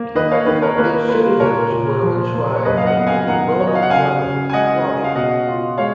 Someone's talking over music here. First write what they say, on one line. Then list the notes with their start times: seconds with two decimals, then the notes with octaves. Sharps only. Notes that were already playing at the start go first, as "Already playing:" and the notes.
Its citizens were inscribed into the Roman tribe, "Claudia".
Already playing: A#3
0.15 D#3 B4 D#5
0.31 C#5 F5
0.46 D#3 B4 D#5
0.62 A#4 C#5
0.78 A#3 B4
1.08 F4 B4
1.40 A#2 A#4 C#5
1.72 A#2
2.03 F3
2.34 A#3
2.55 C#5
2.65 F#2 B4 D#5
2.77 F5
2.86 D#5 F#5
2.97 B3
3.07 F5 G#5
3.22 G#5
3.28 D#3 F#5 A#5
3.59 F#3 C#5
3.67 D#5
3.75 F5
3.82 F#5
3.90 C#3 F5 G#5
4.22 C#3
4.49 G#5
4.53 G#3 D#5 F#5
4.85 C#4
5.04 F5
5.15 B2 D#5 F#5
5.47 F4
5.78 G#3 C#5 F5